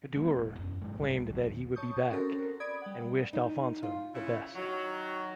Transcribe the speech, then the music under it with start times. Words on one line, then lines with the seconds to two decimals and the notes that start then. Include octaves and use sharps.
Kaddour claimed that he would be back and wished Alfonso the best.
0.16 G#3 B3 C#4
0.36 E1
0.59 A1 F#2
0.81 G#2 F#3 G#3
0.97 C2 C3 G3
1.29 A#1 E2 D#3 F#3
1.76 C#5 A5 C#6 D#6 G6
2.10 C4 C#4 F#4 A4 A#4
2.60 D5 B5 D#6 G#6 D7
2.82 G3 F#5
3.33 D#4
3.83 F4
4.14 C#3 E4
4.55 D#3 F#3